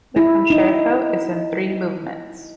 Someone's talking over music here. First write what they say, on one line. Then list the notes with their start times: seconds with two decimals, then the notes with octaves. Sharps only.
The concerto is in three movements.
0.16 E4
0.50 D#4